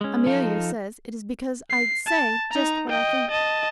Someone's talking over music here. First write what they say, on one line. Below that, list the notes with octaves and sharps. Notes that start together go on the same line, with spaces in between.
Amelia says it is because I say just what I think.
G#3 C#4
F3 D#4 A4 F5
C7
A5
D#4 A#5
D#5 G5
D#5 A5